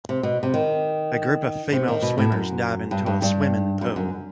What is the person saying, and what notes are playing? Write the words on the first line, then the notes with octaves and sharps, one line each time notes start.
A group of female swimmers dive into a swimming pool.
C3
B2
C3
D#3
C3
D#3
B2
A2
F#2
G2
G2
G2
F#2
F#2